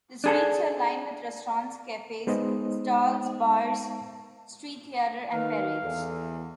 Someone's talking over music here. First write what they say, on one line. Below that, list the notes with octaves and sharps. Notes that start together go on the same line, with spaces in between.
The streets are lined with restaurants, cafes, stalls, bars, street theater and parades.
D4 G#4 A4
G#3 B3 D#4 C5 D#5
D#3 B4 F5
E2 A4